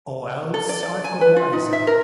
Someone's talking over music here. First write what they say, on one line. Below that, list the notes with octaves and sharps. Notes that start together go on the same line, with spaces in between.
Or else I’ve got wiser.
A4
D5
D5
G#5
B4
F4
D#4
E5
A#4